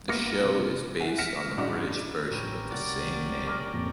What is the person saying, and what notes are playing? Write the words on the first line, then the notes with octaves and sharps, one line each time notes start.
The show is based on the British version of the same name.
A#3 B3 D6 F6 A#6 C#7
C3
E4 F#5 G#5
F6 A#6 B6 C#7 D7 E7
G2 C#3 D#4 F#4 D5 D6
A1 C#4 G4 A#4 B4
C2 D5 F#5 A6
D6 F6 A#6
F2 A#2 D5